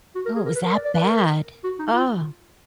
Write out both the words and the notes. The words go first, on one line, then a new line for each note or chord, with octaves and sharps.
Oh, it was that bad? Oh.
F#4
A#4
G#4
A#4
B4
A#4
D5
D5
B4
A#4
F#4
D#4
F4